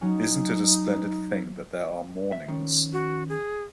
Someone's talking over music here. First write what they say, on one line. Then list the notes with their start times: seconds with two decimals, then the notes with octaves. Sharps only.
Isn’t it a splendid thing that there are mornings?
0.01 F#3 C#4 D#4
2.32 E5
2.48 D#3 F3 C#4
2.93 F#4
3.29 G#4